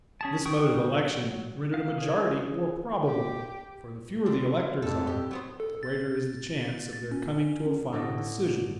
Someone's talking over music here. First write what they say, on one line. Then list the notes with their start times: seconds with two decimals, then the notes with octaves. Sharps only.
This mode of election rendered a majority more probable; for the fewer the electors are, the greater is the chance of their coming to a final decision.
0.21 C#4 G#4 A5
0.46 F#3 G5 C#6 D#6
1.74 F5
1.98 G#4 C#5
3.06 G4
4.26 D3 D#3
4.82 F2 A4
5.07 G4
5.31 F#3 B3 C5
5.60 A4
5.83 A6
7.11 C#4
7.93 A2 D3 A4 D#5